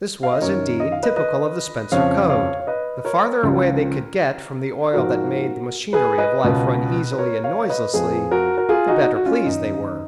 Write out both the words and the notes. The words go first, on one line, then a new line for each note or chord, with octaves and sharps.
This was, indeed, typical of the Spencer code--the farther away they could get from the oil that made the machinery of life run easily and noiselessly, the better pleased they were.
F5
D#5
F#2 D#3 A#4 C#5
D#5
F5
B4 D#5
B4 D#5
F2 C#3 F3 C#5 F5
C#5 F5
C#5
B4 D#5
A#4 C#5
C#2 C#3 F3
G#2 F3 F#4 A#4
G#4 B4
B4 D#5
C#2 B2
B4
A#4 C#5
C#5 F5
B4 D#5
F2 F3 G#4 B4
F#4 A#4
A#4
F4 G#4
D#4 F#4
F#4
C#4 F4
F#2 D#3 D#4